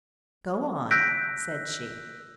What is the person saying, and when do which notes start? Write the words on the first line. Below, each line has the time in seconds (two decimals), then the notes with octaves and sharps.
"Go on," said she.
0.91 E6 F#6 G6 A#6 B6 D7